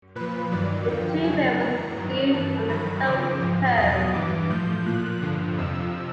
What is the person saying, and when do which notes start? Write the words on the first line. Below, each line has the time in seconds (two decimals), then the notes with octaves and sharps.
The two men were soon on the closest terms.
0.15 A#2 F3 B4
0.51 G2 D#3 F#3 D5
0.88 F2 D3 F3 G5
1.24 F2 C#3 F#3 G#5
1.60 A2 A#5
1.65 E3
1.96 G2 D#3 F#3
2.33 G2 E3 A5
2.69 G2 D#3 F#3 B5
3.05 E2 C#3 F3 D6
3.42 G#2 F3
3.77 E2 B2 F#3 D#6
4.13 G2 E3 D6
4.50 A2 F3 G6
4.85 A#2 F3 F#6
5.22 G2 D3 F3
5.58 F2 C3 F3 E6